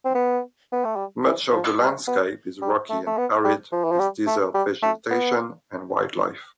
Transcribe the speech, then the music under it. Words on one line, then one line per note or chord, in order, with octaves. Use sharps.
Much of the landscape is rocky and arid with desert vegetation and wildlife.
C4
B3
B3
A3
G3
E3
F3
G3
B3
G3
A3
A3
B3
G3
F3
E3
F3
G3
A3
G3
A3
B3